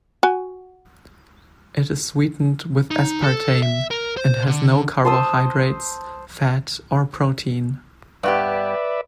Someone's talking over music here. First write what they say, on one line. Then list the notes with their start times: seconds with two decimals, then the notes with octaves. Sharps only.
It is sweetened with aspartame and has no carbohydrates, fat, or protein.
0.23 F#4 G#5
2.91 D#4
3.23 A4
3.63 E5
3.91 A#4
4.17 C5
4.47 D3
5.05 C5 A5 D#6 E6
8.23 G2 B3 G4 B4 D5 E5